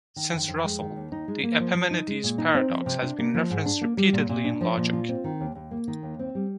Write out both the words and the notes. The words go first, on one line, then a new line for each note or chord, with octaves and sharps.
Since Russell, the Epimenides paradox has been referenced repeatedly in logic.
D#3
F2
F2
G#3
D#3
D#2
D#4
G#3
A#3
F3
F3
D#4
G#3
A#2
D#4
C4
F3
C3
D4
A#3
F3
G#2
D4
A#3
G3
A#2
A#2
D4
F3
A#2
F4
C4
D#3
D#2
D#2
A#3
D#3
D#2
C4
G3